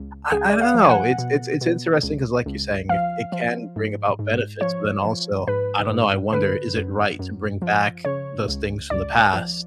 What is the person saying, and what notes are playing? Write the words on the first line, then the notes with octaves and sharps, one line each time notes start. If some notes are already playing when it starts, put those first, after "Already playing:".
I I don't know, it's it's it's interesting 'cause like you're saying, it it can bring about benefits, but then also, I don't know, I wonder is it right to bring back those things from the past,
Already playing: C#2
C#2 G#4
D5
F5
F3
G#5
F#5
B2
B2
C#2
C#2
F3 F5
F3
G#2
G#2
F3 C#5
F3
G#2 B4
G#2
D3 B4
F#2
F#2
F3
C#3 C#5
C#2
C#2 D5
F3